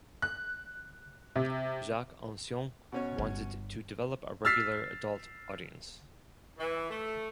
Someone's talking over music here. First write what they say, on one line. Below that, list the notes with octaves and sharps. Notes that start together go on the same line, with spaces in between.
Jacques Ancion wanted to develop a regular adult audience.
F#6
C3
B2 C#4 C#5
G1
E6 F6 A6 B6 C7
E3
A3